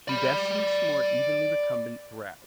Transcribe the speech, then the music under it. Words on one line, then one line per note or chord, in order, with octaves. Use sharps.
Pubescence more evenly recumbent throughout.
D5 B5